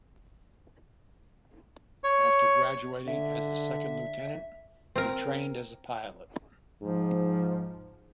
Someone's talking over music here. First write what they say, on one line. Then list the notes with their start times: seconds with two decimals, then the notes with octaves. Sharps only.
After graduating as a second lieutenant, he trained as a pilot.
2.04 C#5
3.08 D3 E5
4.96 C4 A#4
6.82 G#2 F3